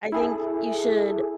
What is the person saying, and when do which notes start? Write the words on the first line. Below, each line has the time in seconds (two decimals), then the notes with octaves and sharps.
I think you should
0.12 E4 G#4 A4